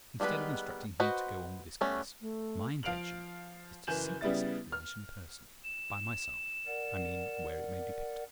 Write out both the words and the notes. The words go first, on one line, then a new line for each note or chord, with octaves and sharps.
Instead of instructing Heat to go on with this case, my intention is to seek this explanation personally--by myself, I mean--where it may be picked up.
D#3 G3 G#3 B3 B4
F#4 B4 C5 D#5
G3 A3 B3 C#4
A3
F3 F5 D7 F7 F#7
F#1 E3 G#5 G6 E7 F#7
C#3 G3 B3 E4 A6
F6
E7
A#4 D5 F#5